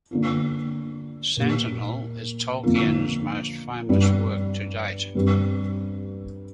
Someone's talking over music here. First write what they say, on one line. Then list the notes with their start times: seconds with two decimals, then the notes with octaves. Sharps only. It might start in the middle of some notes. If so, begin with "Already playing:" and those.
"Sentinel" is Tolkien's most famous work to date.
0.11 D3 A#3 F4
1.37 A#2 A#3 G4
2.63 F2 D3 A#3 F4
3.89 G2 G3 D4
5.15 G2 G3 C4